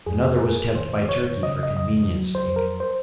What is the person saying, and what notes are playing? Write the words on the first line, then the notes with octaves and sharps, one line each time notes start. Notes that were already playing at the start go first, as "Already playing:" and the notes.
Another was kept by Turkey for convenience sake.
F2 G#4
G#4
F2 A#4
D#3 C5
D#3 C#5
C#3 D#5
D#5
F2 D#5
F#3
C5
F2
A#4
C5